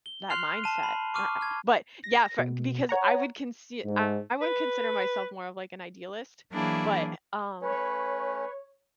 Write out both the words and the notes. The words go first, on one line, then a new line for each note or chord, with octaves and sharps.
that mindset, a ah, but yeah, for because I would consi I wouldn't consider myself more of like an idealist, but um,
G7
C6 F6 F#6 C7 F7
A5 D#7
B5
C#6 D6 F6 D#7
F6 G#6
A#6
B2
C#5 F#5 A#5
G#2
B4
E3 F#3 A#3 D4 E4 G#4
A3 C#4 B4 C#5